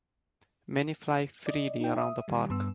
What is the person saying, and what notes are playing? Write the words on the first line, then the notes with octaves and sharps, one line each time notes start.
Many fly freely around the park.
D5 D#5
D#4 G5
E5 D#6
D#3 G3
G2 B3 E6